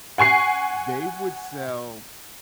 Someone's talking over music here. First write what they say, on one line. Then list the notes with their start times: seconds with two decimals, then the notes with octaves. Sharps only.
they would sell
0.18 F#5 G#5 C#6 C7